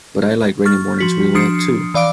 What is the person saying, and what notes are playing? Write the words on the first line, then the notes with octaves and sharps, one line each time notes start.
But I like rainy mornings real well, too.
C#6 F6 A6
F3 F#4 B6
F3 D4 D#6 C7 C#7
E3 D5 F5 D6 D7